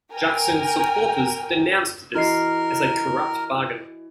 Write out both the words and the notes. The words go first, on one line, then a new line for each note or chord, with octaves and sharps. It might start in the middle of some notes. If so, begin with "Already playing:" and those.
Jackson's supporters denounced this as a corrupt bargain.
A#4 G5 G#5
E3 F#4 A#4 D#5 C7